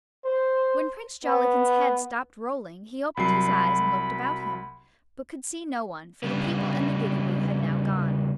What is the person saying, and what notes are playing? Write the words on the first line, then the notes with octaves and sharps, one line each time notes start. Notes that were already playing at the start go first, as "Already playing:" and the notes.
When Prince Jollikin's head stopped rolling, he opened his eyes and looked about him, but could see no one; for the people and the Gigaboo had now gone.
C5
B3
C2 F#3 B5 C7
C#3 G3 B3 D4